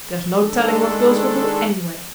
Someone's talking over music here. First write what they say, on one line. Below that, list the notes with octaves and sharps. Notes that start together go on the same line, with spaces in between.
There's no telling what girls will do anyway.
D#3 G#3 D4 A4